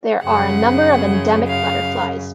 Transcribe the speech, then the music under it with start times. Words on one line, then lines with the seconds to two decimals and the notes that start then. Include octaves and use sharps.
There are a number of endemic butterflies.
0.24 F#2 C#3 F#5
1.48 F5